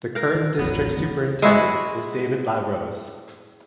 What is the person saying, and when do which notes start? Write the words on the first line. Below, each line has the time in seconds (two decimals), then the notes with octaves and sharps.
The current district superintendent is David LaRose.
0.15 A#4 F5
0.35 D#3
0.59 D#1 A1 F2 F#3 B3
0.96 D2 E3
1.42 G#3 E4 F#4